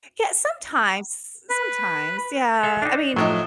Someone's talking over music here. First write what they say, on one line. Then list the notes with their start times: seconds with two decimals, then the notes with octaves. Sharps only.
Yeah, sometimes, s sometimes. Yeah, I mean, uh,
1.50 B4
2.63 A4 E5 F5
2.82 D4 D#4
3.16 A2 F3 F#3 D#4